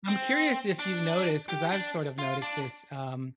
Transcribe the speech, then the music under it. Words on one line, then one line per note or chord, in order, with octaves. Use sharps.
I'm curious if you've noticed- 'cause I've sort of noticed this- um,
C4
D4
G4
D4
F4
D4